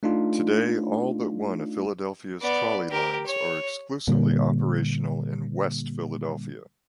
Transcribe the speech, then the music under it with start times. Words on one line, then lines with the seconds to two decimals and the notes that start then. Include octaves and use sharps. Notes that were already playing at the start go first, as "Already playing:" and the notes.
Today, all but one of Philadelphia's trolley lines are exclusively operational in West Philadelphia.
0.03 A3 D4 D#4 F4
2.41 B3 D5
2.90 G4 A#4
3.26 C#5
4.07 A#2 D3 G3 A#3